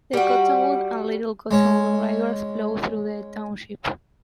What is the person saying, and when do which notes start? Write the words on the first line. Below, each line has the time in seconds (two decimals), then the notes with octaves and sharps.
The Cottonwood and Little Cottonwood Rivers flow through the township.
0.13 G3 F#4
1.51 G#3 C#4